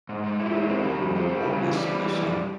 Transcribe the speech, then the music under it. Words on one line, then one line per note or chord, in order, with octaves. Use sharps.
or or dismissive,
G#2
G#3
E4
G#3
C4
G3
F2
C4
G3
C#3
E3
G3
E3
G3
F2